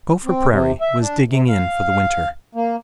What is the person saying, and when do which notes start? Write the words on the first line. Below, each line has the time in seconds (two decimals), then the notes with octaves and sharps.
GOPHER PRAIRIE was digging in for the winter.
0.25 C4
0.49 C3
0.81 E5
1.01 D4
1.28 C3
1.48 F5
2.55 A#3